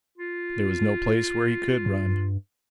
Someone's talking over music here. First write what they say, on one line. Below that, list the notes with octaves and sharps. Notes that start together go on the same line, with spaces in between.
There was no place where he could run.
F4
G2